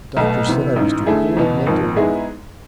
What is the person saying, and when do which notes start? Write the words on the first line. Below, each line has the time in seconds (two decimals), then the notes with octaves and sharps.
The doctor said I was to avoid mental worry.
0.17 B1 B2 A3
0.47 C3 E3 B3
0.76 A1 G#2 E3
1.06 D3 A3 E4 G#4
1.37 E2 B2 B3
1.66 G#1 G#2 F3
1.96 G#2 G#3 B3 E4 G#4